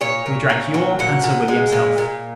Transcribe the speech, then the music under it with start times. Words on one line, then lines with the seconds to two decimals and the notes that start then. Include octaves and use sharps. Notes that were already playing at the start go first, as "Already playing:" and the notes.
We drank your and Sir William's health.
0.01 A#2 C#5
0.26 A#2
0.50 A#2
0.74 F#3
0.99 A#2 F#5
1.23 A#2
1.48 G#3
1.72 A#2
1.98 A#2